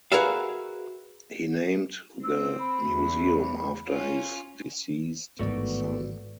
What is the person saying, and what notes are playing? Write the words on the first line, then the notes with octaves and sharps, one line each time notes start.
He named the museum after his deceased son.
F#4 G#4 A#4 B4 E5 F5
C4 E6
B5
E2
C#4 F4 C#5
A1 G#2 D#3 A3 B3 F#4 D5